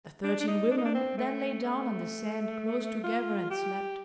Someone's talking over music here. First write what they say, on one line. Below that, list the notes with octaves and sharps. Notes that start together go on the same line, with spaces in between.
The thirteen women then lay down on the sand close together, and slept.
D4
D4
D#4
D4
D#4
D4
C4
A3
A3
F4
G4